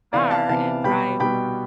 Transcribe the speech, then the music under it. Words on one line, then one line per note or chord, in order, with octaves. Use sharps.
car and drive
C3 E3 B3 D5 F5
F5 A5
C3 E3 B3 F5 A5
B2 G3 B3 G5 B5
B2 G3 B3 G5 B5